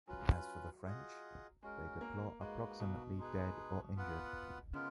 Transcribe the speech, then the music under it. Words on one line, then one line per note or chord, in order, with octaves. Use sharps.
As for the French, they deplore approximately dead or injured.
F#3 C#4 F4 B4
F4 G#4 D#5 F#5
G#3 C#4 F#4 A#4
A#3
G#3 A#3 D#4 F#4 B4
B2
G#3 D#4 G#4 B4
B3 F4 B4 F#5
C#3 G#3 B3 F4 A#4